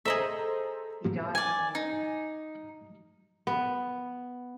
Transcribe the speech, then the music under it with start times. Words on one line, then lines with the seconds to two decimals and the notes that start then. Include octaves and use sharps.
He died in Munich.
0.05 G#4 A4 C5 D#5 E5 A#5
1.35 D5 G#5
1.75 D#4
3.47 B3